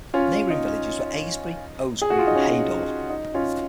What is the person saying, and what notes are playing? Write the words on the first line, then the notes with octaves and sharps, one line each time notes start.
Neighbouring villages are Aisby, Oasby, and Heydour.
C#4 F4
D#4
G#4
F#4
F4
D#4
C#4
D#4
C#4 F4